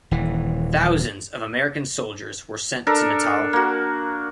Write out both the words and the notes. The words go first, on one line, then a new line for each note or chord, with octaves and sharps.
Thousands of American soldiers were sent to Natal.
D#1 E3
D4 A4 A#4
A#3 F#4